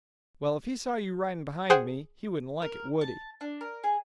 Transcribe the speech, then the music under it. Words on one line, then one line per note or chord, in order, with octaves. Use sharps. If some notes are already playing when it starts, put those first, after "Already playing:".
"Well, if he saw you riding behind me, he wouldn't like it, would he?"
G#4 C5 F#5 G5
A#4
A5
D4
A#4
G#4